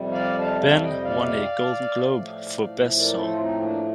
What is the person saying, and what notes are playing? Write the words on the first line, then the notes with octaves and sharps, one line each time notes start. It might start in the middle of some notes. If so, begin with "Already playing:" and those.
"Ben" won a Golden Globe for Best Song.
Already playing: F2 C3 G3
D5 F5
F5 A5
F5 A5
D#5 G5
D5 F5
A2 F3 A3
A#4 D5
A4 C5
F4
C4 D#4
A#3 D4